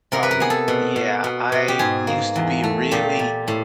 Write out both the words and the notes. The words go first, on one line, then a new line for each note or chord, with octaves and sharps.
Um yeah, I used to be really
C3 A#4
B4
A#4
B3 G#4
A4
B2
B2
B2
B2
G4
G#2 G#4
A#3
E2
A3
A#2 G4
A#2
A2